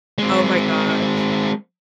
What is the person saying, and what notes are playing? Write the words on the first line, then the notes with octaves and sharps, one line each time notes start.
Oh my gosh.
G#3 C4